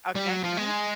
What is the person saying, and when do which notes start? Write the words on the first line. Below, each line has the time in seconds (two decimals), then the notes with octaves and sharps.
Okay, mhm.
0.15 G3
0.29 F#3
0.44 F3
0.57 G#3